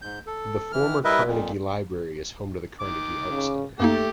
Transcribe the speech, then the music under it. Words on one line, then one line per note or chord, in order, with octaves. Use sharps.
The former Carnegie Library is home to the Carnegie Art Center.
G#2 G6
A4
E3 F6
G3 E4 A#4 B4 D#5 E5
F2 A#2
D#3 D6
C#3
F#2 A3 A#3 D#4 G4 A4 D6